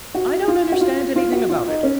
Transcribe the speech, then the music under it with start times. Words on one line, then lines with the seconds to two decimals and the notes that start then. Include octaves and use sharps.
I don't understand anything about it.
0.15 F#4
0.48 F4
0.72 F#4
0.81 F4
1.16 F4
1.32 F#4
1.49 F4
1.67 D#4
1.83 C#4